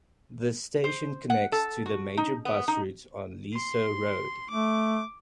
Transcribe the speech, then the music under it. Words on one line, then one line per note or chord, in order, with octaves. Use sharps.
The station connects to the major bus routes on Leasowe Road.
C5
F#5
A4
F#4
D#4
B3
D#4
C6
A3 D6